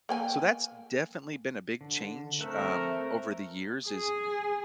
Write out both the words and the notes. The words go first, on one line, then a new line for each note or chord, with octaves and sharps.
So that's definitely been a big change, um, over the years is
A#3 G5 G#5
D3
A3 C4 A#4 E5 F#5
G#4